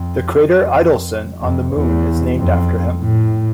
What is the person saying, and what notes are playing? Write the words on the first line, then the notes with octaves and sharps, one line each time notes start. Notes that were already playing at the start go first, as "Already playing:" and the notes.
The crater Idelson on the Moon is named after him.
Already playing: F2
F2
F2
E2
F2
A2